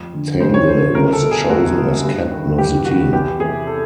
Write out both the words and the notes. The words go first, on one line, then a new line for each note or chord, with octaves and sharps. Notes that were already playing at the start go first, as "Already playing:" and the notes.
Tange was chosen as captain of the team.
Already playing: F2
D3
F2 C5
C#5
D3 C5
C2 A#4
A4
B2
G#4
C2 F#4
B2
G2
D#3
G2 G4
D#3 F#4
E2 G4
C3 E3 G#4
A4